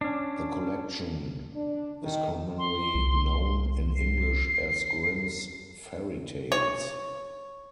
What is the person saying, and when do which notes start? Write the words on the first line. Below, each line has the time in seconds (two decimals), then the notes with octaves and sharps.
The collection is commonly known in English as Grimms' Fairy Tales.
0.01 C#4 D4
1.55 D4
2.02 D#3
2.58 C6
2.95 C2
3.96 C7
6.52 C#5